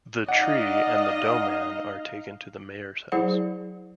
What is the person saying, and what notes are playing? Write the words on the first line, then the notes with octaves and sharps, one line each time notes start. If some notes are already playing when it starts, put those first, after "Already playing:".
The tree and the dough-man are taken to the mayor's house.
D#4 D5 D#5 F5 F#5
F#3 E4 G#4 C5 D5 F#5